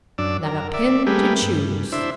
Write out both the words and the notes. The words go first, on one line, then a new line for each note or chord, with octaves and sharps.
Not a Pin to Choose.
F#2 D4 D5 E6
A#4
D5 E5
G3 A3 A#3 G4 G#4 B4
G2
D4 E4 C5 E5